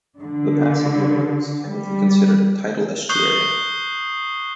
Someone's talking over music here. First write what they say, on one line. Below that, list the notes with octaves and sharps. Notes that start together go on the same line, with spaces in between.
The Pasig River is technically considered a tidal estuary.
D3
G3
C#6 D#6 F#6 G6 C7 G7